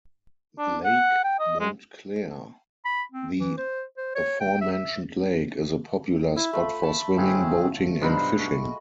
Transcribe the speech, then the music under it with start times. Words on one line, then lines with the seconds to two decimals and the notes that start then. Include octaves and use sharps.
Lake Montclair, the aforementioned lake, is a popular spot for swimming, boating, and fishing.
0.58 D4
0.84 F#5
1.24 G5
1.39 D#5
1.60 G#3
2.85 B5
3.12 C4
3.38 E3
3.58 C5
3.97 C5
4.15 C#5
4.40 G5
4.61 E5
4.73 E5
6.36 E4 E5
6.53 A3 F4 B5
6.83 A5
7.17 G1 A2 C4 C#4 G#4
8.01 B1 G2 D4 D#4 C5 D#5 F5 B5
8.39 G#3 F#4